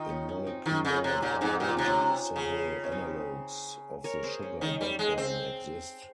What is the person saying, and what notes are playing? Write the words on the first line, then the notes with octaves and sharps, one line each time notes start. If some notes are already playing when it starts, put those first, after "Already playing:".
In molecular biology, several analogues of the sugar backbone exist.
Already playing: D#3 D#4 F4
C#4
C#4
C4 D#4
D#3 F4 G#4
C#3 D#4
C#4 F4
C3
A#2 D#4 G4 G#4
G#2 C4 D#4
A#2 G4
F4
C3 D#4
C#4 F4
C#3
C#4
C4 D#4
A#4 C#5
G#4 C5
C#4
D#3 C#4
G3
G#3
C4